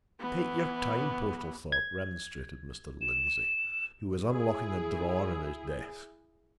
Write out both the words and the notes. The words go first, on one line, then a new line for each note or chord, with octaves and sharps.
"Take your time, Portlethorpe," remonstrated Mr. Lindsey, who was unlocking a drawer in his desk.
E3 B3
G#6
E7
E4 G#4